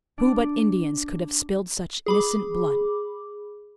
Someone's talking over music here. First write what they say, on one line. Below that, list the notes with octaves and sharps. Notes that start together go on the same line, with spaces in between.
Who but Indians could have spilled such innocent blood?
D4
G#4 B5 D6